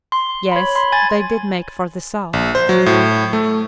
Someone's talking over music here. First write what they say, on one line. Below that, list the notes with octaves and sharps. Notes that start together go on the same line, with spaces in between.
Yes, they did make for the south!
C6
C#5 B5
B5 C6
G#5 G#6 A6
A#1
C5
F#3
A2
A3